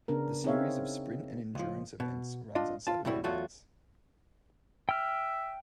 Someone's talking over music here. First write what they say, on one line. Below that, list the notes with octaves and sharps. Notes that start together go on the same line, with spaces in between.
The series of sprint and endurance events runs on Saturday nights.
C#3 B3 D4 A#4
C4 D#4 G#4 C#5 E5 F5
C#2 F3
B2
D4 F4 D#5
F4 A5
A2 C3 G3 E4 F#4
E2 F#3 A3 F4 F#4
E5 G5 F6